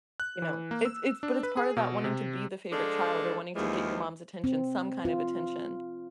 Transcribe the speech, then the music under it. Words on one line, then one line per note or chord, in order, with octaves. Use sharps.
you know. It's it's but it's part of that wanting to be the favorite child or wanting to get your mom's attention, some kind of attention,
F#6
E3
A#3
E6
D4
B4
G#4
B2
C3
F3 G#3 D4 A4
D#2 E3 F3 G#3
C4
F4